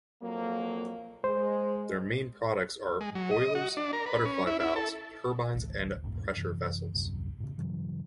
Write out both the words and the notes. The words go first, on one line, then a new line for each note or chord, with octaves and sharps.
Their main products are boilers, butterfly valves, turbines, and pressure vessels.
F2 F#3 A#3
G#3 C5
G#3
F#3
D#5
F#4
D4
A#4
B4
C#4
E4
E4
A4
G#1 C#2
D#1 A1 G2 A#2
F#2 C3 E3
D#1 C2 F#2 C3
A2 C#3
G2 C#3 E3 F#3